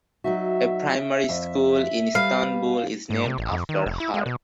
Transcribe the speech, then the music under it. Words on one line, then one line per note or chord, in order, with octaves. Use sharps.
A primary school in Istanbul is named after her.
F#3 D#4 F#4 E5
F2
G3 B4 F5
G#2
C3
A1
F2
D#3
F1
E4
G#3
B2